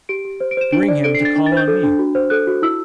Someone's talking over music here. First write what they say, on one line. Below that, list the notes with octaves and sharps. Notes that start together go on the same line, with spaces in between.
Bring him to call on me.
G4 D7
G4
C5
D7
C5 E7
D4 D7
D5
A4 D7
C7
D4 A6
D4
A6
C5 G6
A4
D4
F#4
C5
A4 F#6
F#4
E4 E6